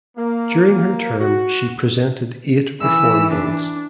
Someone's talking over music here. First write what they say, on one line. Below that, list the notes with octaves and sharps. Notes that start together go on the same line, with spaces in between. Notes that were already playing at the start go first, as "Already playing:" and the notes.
During her term she presented eight reform bills.
A#3
F#4
E3 E6
D4